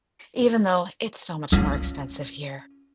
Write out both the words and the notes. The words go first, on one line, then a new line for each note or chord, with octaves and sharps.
even though it's so much more expensive here.
C#4 F4